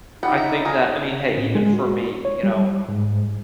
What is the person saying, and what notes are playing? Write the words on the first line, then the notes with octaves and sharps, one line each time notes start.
I think that I mean, hey, even for me, you know,
G3 B3 D#4 F#5
E5
G#4 A#4
A2
G#3
F#4
C#5
G3
G#2